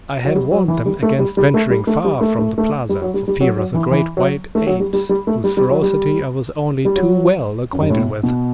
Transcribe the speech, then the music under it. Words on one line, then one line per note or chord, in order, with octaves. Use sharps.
I had warned them against venturing far from the plaza for fear of the great white apes, whose ferocity I was only too well acquainted with.
F#3
G3
F#3
E3
G3
A3
G3
G3
A3
G3
A3
G3
A3
A3
A3
G3
F#3
G3
G3
F#3
F#3
E3
E3
F#3
A3
F#3
G3
G3
G3
A3
G3
G3
F#3
G3
G3
F#3
F#2
G2
A2
B2
B2